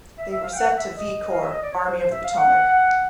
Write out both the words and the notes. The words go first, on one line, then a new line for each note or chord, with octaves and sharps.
They were sent to V Corps, Army of the Potomac.
E5
E5
F5
G5
F#5
E5
D#5
F5
E5
D#5
D5
C#5
C5
C5
E5
F5
F#5